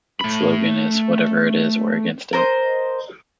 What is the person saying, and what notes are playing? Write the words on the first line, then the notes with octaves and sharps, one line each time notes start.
Its slogan is Whatever it is, we're against it.
A3 B5
A#4 C5 D#5